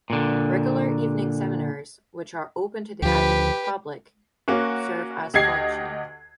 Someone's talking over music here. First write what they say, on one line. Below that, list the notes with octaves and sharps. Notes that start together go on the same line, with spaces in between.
Regular evening seminars, which are open to the academic public, serve as foci.
A#2 D3
D2 F3 G4 B4
A#3 C#4 F#4
D2 G4 D#5 G#6 C7